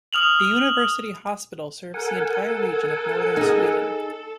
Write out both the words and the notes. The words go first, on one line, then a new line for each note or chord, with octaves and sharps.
The university hospital serves the entire region of northern Sweden.
D#6 F6 F7 F#7
A4 A#4 F#5 G#5
D#4 G#4